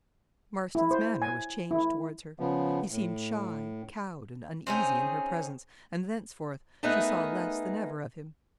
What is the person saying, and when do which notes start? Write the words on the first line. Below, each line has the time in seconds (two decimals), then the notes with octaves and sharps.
Marston's manner was changed towards her; he seemed shy, cowed, and uneasy in her presence, and thenceforth she saw less than ever of him.
0.75 E4
0.91 C5
1.22 G#5
1.71 E4
2.40 C#3 F3 B3
2.91 A2
4.67 C4 C#4 D#4 G#4
6.83 A3 B3 D#4 G#4 A#4 B4